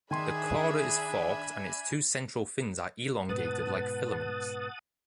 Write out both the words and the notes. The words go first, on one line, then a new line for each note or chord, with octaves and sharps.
The cauda is forked and its two central fins are elongated like filaments.
D#3 D4 G#4 E5 G#5 B5 C6
G#2 B2 B4 F#5 A5 D#6